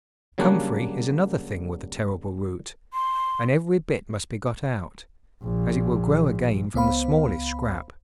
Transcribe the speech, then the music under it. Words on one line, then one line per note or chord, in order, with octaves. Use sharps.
Comfrey is another thing with a terrible root, and every bit must be got out, as it will grow again from the smallest scrap.
C#3 F#3 G3 A#3 D4 F#4
C6
A#1
C#2 B3 C5 F5 B5